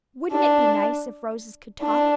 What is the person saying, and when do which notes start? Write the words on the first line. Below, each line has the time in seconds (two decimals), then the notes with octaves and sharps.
Wouldn't it be nice if roses could talk?
0.31 D4
1.82 D4